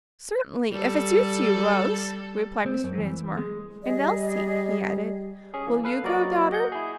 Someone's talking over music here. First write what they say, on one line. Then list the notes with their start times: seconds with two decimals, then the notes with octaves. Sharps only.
"Certainly, if it suits you, Rose," replied Mr. Dinsmore; "and Elsie;" he added, "will you go, daughter?"
0.70 G3 A4
2.66 C4
2.84 F#2
2.98 E3
3.37 G#3
3.83 G3 G#4 D5 D#5
5.54 C#4 G#4
5.67 E3 A#3
5.84 A4 B4 F5
6.04 F#3 A#3 F#4 A#4 D5 D#5
6.52 D#5 F#5 G6
6.72 E4 G#4